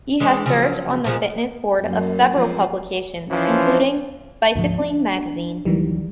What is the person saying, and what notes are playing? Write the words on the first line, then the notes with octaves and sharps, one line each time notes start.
He has served on the fitness board of several publications including "Bicycling Magazine".
E3 G#3 D4
C#3 F3 F#3
A#2 F3 G#3
F#2 A#3
F3 G#3 C4
E3 F3 C#4
D2 G#2 F3
C4 D4
D2 D#3 E3 F#3 G3